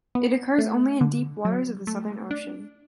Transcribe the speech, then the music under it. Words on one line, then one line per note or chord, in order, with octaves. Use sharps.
It occurs only in deep waters of the Southern Ocean.
B3
A3
D3
F#3
A3
D4